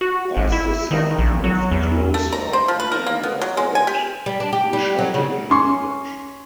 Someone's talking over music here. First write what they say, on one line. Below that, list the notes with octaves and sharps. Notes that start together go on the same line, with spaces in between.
As the sub moved closer, the men were heard to be shouting in English.
F#4
G#1
E4
D#3
A#1
F#3
E2
A3
A#5
C5
F3
B4
A#4
A#3
B3
F#3
G#3
G#5
G4
G3
D4
G4
G3
F#3
C#3
C#4 C6 C#6